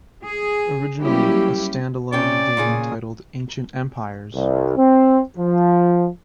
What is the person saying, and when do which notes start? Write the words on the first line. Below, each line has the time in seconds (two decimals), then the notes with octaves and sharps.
Originally a stand-alone game titled Ancient Empires!
0.23 G#4
1.00 F#3 G3 A#3 C#4 E4 G4
2.12 C3 C#4 D5 G5
2.57 A#2 C#3 G#4
4.34 C2
4.77 C4
5.38 F3